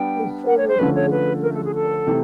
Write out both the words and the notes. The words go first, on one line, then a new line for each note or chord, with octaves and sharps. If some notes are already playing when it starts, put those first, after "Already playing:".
His service was eventful.
Already playing: G3 B3 D4 G5
F#5
C#5
C5
D3 F3 A3 C#4 B4
C#5
B4
A#4
A4
G#4
A4
C3 E3 A3